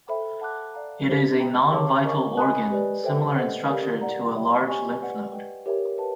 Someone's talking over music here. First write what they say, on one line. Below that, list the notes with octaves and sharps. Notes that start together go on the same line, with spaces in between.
It is a non-vital organ, similar in structure to a large lymph node.
A4 C5 E5 G5 B5
F#5 A5 D6 F#6
D5 F5 A#5
G4 C5 E5
E5 G5 A#5
G#4 C#5 F5 A5 D6
A#4 D#5 G#5 C#6
D#5 G#5 B5 D#6 F#6
G4 B4 D5
A4 C5 E5 G5
C5 D#5 F#5
G4 A#4 D5 F5
D5 F#5 A#5
C#5 E5 G5 B5
G4 C5 D#5 G#5 C#6
B4 D5 F#5
B4 D#5 G5
G4 A#4 C#5 E5
B4 D#5 F#5 A5